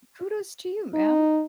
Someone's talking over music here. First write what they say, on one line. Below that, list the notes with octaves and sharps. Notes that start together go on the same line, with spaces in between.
Kudos to you man.
D#4